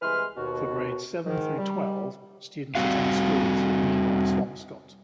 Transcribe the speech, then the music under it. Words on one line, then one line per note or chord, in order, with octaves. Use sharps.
For grades seven through twelve, students attend schools in nearby Swampscott.
C2 E3 G#3 B4 C6 F6
D#2 B2 F#4
G#2 D#3
G3
G3 C4 F#4 F5